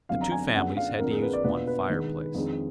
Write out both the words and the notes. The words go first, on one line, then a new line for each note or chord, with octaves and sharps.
The two families had to use one fireplace.
F2 D3 F#3 B3 F5
A#5
G#5
F#2 D3 G#3 B3 F4 F#5
F5
F2 D3 F3 A#3 A#4
G#4
B4
D5
B2 A#3 D4 F4 B4
B4
D#3 G#3 B3 D4
F2 D#3 G#3 D4